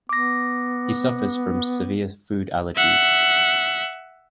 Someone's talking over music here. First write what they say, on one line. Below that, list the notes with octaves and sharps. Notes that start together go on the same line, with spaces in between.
He suffers from severe food allergies.
B3 D6 A#6
E5 F#5